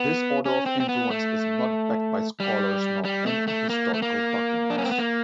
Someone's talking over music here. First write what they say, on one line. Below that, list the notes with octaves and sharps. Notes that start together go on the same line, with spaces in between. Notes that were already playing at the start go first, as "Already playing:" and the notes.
This order of influence is not backed by scholars, nor any historical documents.
Already playing: B3
C#4
C4
C4
B3
A3
G3
G3
A3
A3
A#3
A3
A#3
D4
C#4
C4
B3
A#3